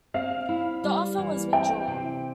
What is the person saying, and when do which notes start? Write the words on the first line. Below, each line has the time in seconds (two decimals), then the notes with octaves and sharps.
The offer was withdrawn.
0.14 C4 F5
0.49 E4
0.84 G3
1.18 E3
1.53 C4 G5
1.87 C3